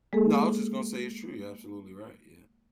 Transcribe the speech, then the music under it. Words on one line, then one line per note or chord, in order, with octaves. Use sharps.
No, I was just gonna say it's true, you're absolutely right, yeah.
G#3 A#3 G#4 A4